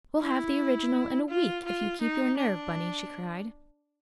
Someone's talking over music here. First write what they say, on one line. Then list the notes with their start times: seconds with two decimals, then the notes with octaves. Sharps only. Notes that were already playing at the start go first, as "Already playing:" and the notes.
"We'll have the original in a week if you keep your nerve, Bunny," she cried.
0.21 E4
1.29 F4
1.65 F4
2.01 D#4
2.38 D4